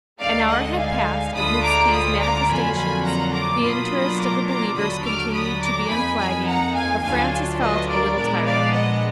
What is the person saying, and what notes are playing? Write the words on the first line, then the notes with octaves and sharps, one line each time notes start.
An hour had passed amidst these manifestations--the interest of the believers continued to be unflagging, but Francis felt a little tired of it.
D2 D3 G#3 D#4 D5 F5
D#5 F#5
F5 G#5
D2 D3 G#3 D4 F4 B5 D#6
A#5 D6
B5 D#6
A#5 D6
F2 D3 F#3 A#3 F4 G#5 B5
G#5 B5
F#5 A#5
A#5 D6
B2 F#3 A#3 D4 F4 B5 D#6
A#5 D6
A#5 D6
D#2 D3 F#3 D4 B5 D#6
D6 F6
B5 D#6
A#5 D6
F2 F3 A#3 D#4 G#5 B5
G#5 B5
F#5 A#5
F5 G#5
D2 D3 F#3 D4 F4 F5 G#5
B4 D#5
A#4 D5
A#2 F3 G#3 B3 D4 A#4 D5
D5 F5
D#5 F#5